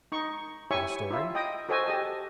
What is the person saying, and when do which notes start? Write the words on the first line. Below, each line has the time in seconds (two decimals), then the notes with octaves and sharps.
For the story?
0.12 D#4 C#6
0.71 E4 G4 C#5 E5 G#5 C#6
1.10 E4 F4 E5
1.35 D#5 G5 D#6
1.69 F#4 A4 C5 D#5 G#5
1.86 G4 D#5 A5